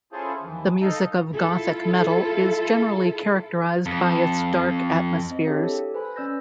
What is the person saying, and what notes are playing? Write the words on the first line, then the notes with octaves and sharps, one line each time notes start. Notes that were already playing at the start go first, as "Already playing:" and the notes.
The music of gothic metal is generally characterised by its dark atmospheres.
C#4 E4 F4 G#4 A4 C5
D#2 E3 F3
D#4 A4 D#5 F5
E4 F4 A4
F2
C4 D#5
D4 E4 G4 G#4 C#5 F5
A4
B4 C5 G#5 B5
C#4 D5 E6 G6 A#6